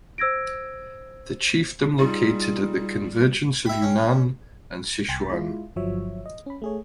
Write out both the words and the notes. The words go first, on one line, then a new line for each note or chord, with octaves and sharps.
The chiefdom located at the convergence of Yunnan and Sichuan.
C5 E6 G#6 A#6 D7
G3 D#4 F4 G#4
E5 G5 B5
C#4
C2 G5 G#5 C6 A6
G#3 E4 F4
G1 F3 F#3 C#5 E5
D#5
C#4 B5
A3 G#4 C#5